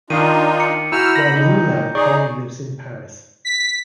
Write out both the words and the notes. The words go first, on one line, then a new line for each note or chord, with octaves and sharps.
Wan Runnan currently lives in Paris.
D#3 D4 D#4 F4 D#6 C7 D#7
D6 C#7
E4 F#4 G#5 A#5 E6 F6 G6
B5 A#6
A#2 D#3 D#4
D#4 G#4 D5 C#6
B6